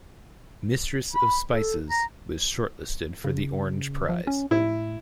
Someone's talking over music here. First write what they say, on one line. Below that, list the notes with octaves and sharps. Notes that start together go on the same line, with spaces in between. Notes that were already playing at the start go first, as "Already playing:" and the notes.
"Mistress of Spices" was short-listed for the Orange Prize.
B5
A4
A#5
C#3
F3
C#4
A2 E4